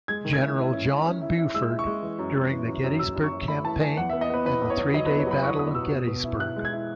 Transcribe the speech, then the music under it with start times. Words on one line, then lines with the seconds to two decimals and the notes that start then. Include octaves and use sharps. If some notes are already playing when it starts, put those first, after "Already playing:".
General John Buford during the Gettysburg Campaign and the three-day Battle of Gettysburg.
0.08 G#3 G#6
0.25 D#3
0.33 G#6
0.41 E4
0.57 E4
0.73 C#4
0.89 E4
1.06 C#4
1.21 E4
1.38 E4
1.54 G#3 E6
1.70 E4
1.79 C#6
1.86 G#3
2.03 E3
2.19 F#2
2.35 F#2
2.51 E3
2.68 F#2
2.84 F#2
2.99 F#2 E6
3.16 F#2
3.24 C#6
3.32 F#2
3.48 A3 B5
3.65 E3 A5
3.81 E3 G#5
3.97 E2 F#5
4.10 B3 E5
4.21 D#5
4.30 B3 B4
4.45 E2 B4
4.62 E2
4.70 C#5
4.78 E2
4.94 F#3 D#5
5.06 B3 B4
5.18 C#5
5.27 F#3 B5
5.43 E2 C#6
5.59 B3 D#6
5.75 B2 E6
5.92 B2
6.07 B2
6.24 E4
6.40 E4 F#6
6.56 G#3
6.65 G#6
6.72 E4